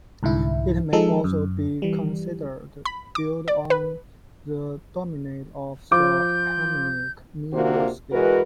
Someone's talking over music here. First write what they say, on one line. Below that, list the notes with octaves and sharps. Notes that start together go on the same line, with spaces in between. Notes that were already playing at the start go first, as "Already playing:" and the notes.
It may also be considered built on the dominant of the harmonic minor scale.
C2 G#2 D3 E4
F3 G#3 D#4 G#4 A4
F#2
E3 G3
B5
D6
D5
B4
F3 F4 D6 G6
C3 A#3 C4 D4 F4 F#4
E3 G#3 F#4 A#4 B4